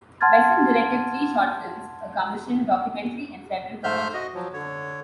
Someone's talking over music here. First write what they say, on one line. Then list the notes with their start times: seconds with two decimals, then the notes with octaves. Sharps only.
Besson directed three short films, a commissioned documentary, and several commercials.
0.21 F#5 A5 C6 F6 G#6 A6
3.84 G#2 A3 C5 E5 F6 G6
4.14 F#4 D#5
4.35 F3 F#3
4.53 D3 C#5